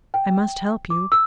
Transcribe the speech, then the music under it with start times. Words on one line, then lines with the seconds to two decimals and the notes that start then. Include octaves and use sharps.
I must help you.
0.14 G5
0.90 D6
1.12 E6